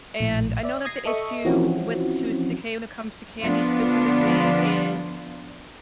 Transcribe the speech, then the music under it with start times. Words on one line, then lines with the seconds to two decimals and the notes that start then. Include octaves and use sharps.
and I know that the issue with tooth decay when it comes to candy specifically is
0.20 A#1 A2
0.63 D5 E5
0.85 D#6 G#6 A#6 C7
1.05 A4 D#5 E5 C#6 D#6
1.45 E3 F3 C4 C#4 E4 F#4
3.42 D3 F3 B3 D4 F4